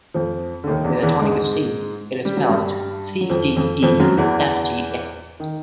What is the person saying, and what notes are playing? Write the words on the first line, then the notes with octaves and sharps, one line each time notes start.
With a tonic of C, it is spelt: C. D. E. F. G. A.
F2 F3
D3
D#2 D#3
E2 E3
E2 E3
G#2 G#3
G3
F#3
G2 G3
F#3
F2 F3
F2 F3
F2 F3
F#2 F#3
E2 E3
D#3